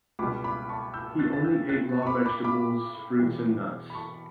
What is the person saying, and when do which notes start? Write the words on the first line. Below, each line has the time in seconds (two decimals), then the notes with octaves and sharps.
He only ate raw vegetables, fruits and nuts.
0.19 C#2 B2 G3 B5 D6
0.44 B5 D6
0.69 A5 C#6
0.94 E6 G6
1.19 F#6 A6
1.33 A6
1.44 E6 G6
1.69 F#6 A6
2.02 C#6
2.07 B5 D6
2.26 B5 D6
2.44 B5 D6
3.20 E2 B2 G3
3.90 B5
3.95 A5 C#6